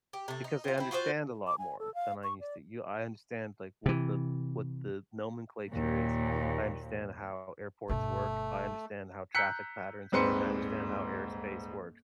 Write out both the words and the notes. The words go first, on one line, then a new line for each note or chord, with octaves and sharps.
because I understand a lot more than I used to. Y I understand, like, what the what the nomenclature is. I understand how airports work, I understand how traffic patterns work, I understand how airspace works,
G4
C3 A3
D#4
C4 F4
C4 E4
F4 F#4 G#4 C5
D6
G#5
A4
F5
C#6
D5
C3 E3
D#2 A#2
G1 B2 A3
A#5 E6 F#6 G6 B6 C#7
D#1 G#2 C4 B4 C6 C#7